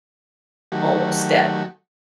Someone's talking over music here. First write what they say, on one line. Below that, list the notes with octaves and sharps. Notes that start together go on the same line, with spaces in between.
almost dead
D#3 F#3 A3 F#4 G4